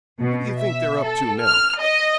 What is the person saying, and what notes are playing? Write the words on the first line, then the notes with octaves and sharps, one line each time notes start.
'What do you think they're up to now?'
B2
E5
A4
F6
D#5